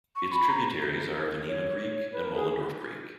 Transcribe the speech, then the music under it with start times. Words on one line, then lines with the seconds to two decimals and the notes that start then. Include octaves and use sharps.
Its tributaries are Venema Creek and Mohlendorph Creek.
0.16 C#6
0.32 B5
0.49 A#5
1.47 C#5
2.12 B4
2.24 A#4
2.35 G#4